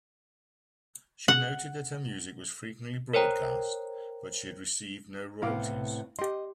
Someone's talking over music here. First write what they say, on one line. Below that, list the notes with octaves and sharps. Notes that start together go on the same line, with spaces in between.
She noted that her music was frequently broadcast, but she had received no royalties.
F#5
A#4 C5 C#5 G5 A#5
A2 C3 B3 E4 F5 D6
G4 D#5 C6